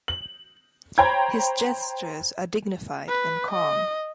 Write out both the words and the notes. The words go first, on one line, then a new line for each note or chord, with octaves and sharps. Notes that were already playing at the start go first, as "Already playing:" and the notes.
His gestures are dignified and calm.
F#7
C5 C#5 G5 A#5 B5 G#6
B4
D#5